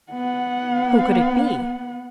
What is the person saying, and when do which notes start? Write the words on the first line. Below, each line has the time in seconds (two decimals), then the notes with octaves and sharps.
Who could it be!
0.12 B3 F#5